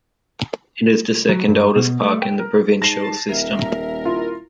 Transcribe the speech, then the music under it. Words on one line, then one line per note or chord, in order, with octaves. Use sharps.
It is the second oldest park in the provincial system.
F#3
G2
B2
A3
G5
A#4
G#2 A5 A#6 C7
D#1 A#4 E5
E4 F4